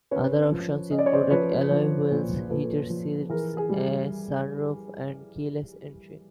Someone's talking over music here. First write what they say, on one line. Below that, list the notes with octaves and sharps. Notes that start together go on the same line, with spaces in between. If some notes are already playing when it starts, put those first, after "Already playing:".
Other options included alloy wheels, heated seats, a sunroof and keyless entry.
C#4 B4 C#5
F3
C#4 D#5
D5
C#5
C5 D5
F3 B4 C#5
F3
A#2
A#2 A4 B4
F3
E3 G#4 A#4
G#4
G3